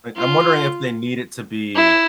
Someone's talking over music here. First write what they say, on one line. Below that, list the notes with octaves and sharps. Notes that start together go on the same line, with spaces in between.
I I'm wondering if they need it to be
F4
E4